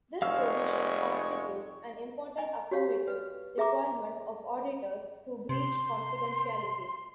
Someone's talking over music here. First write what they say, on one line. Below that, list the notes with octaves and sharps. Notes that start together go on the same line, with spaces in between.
This provision constitutes an important affirmative requirement of auditors to breach confidentiality.
F1 G#3 F5 C#6 E6 F6
D#5 G#5
F#4 G4 C#5 F5 F#5
B4
G#4 E5 A#5 D6
C3 C6